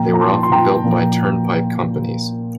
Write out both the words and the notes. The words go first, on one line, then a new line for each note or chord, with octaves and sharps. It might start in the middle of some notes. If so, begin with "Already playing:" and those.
They were often built by turnpike companies.
Already playing: A#2 F3 G5 A#5
A#5
A5 C6
C6
G5 A#5
A#2 F3